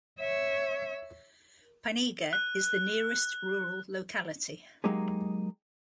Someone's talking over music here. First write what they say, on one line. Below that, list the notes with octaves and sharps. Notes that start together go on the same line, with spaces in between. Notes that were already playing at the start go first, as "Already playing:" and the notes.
Pinega is the nearest rural locality.
C#5 E5
F#6
F#3 G#3 A#3 D#4 G4 G#4